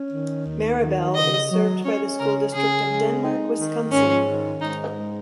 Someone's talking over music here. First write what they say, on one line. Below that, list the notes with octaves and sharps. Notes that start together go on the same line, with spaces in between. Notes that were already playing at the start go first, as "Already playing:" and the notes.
Maribel is served by the School District of Denmark, Wisconsin.
Already playing: C#4
D#3
D#2
D#3
C#3 D#5
F#3
C#4 C#5
C#3 A#4
C#3 G#4
G#3
D#4
D#3
G#2 C#4
D#3
G#2 D#4
G#3